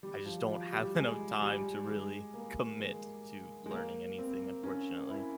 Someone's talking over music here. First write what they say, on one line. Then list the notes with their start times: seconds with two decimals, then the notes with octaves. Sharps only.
I just don't have enough time to really commit to learning anything, unfortunately.
0.03 G3
0.26 F3
0.49 F3
0.72 G3
0.95 G#3
1.42 G3
1.87 G#3
2.34 A#3
2.80 G#3
3.66 G#3
3.71 A#3
4.18 C4
4.63 C#4
5.09 E4